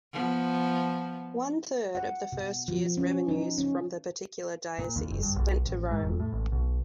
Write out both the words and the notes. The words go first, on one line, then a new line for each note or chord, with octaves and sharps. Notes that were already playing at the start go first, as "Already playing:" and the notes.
One third of the first year's revenues from the particular diocese went to Rome.
F3 B3
F#5
B2
F3
C#4
D#4
C#4
A#2
D#2
F#1
G2
B1
A1
G#2
E1
A2
A1
B1